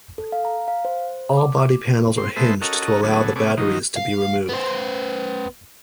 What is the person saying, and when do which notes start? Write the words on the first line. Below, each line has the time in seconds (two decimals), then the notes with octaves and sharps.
All body panels are hinged to allow the batteries to be removed.
0.18 A4
0.32 F5
0.45 A#5
0.68 F5
0.85 C5
1.37 D6
2.18 C4 C6
2.36 G#3 B3 A4 C5 E5
2.62 C#4 F#4 A4 A#4 D#5
3.03 D3 F#3 B3 G#4 A4
3.36 C3 A3 B3 C#4 G#4 D6
3.58 D#3 F3 F#3 D#4
3.97 F5
4.49 B3 C5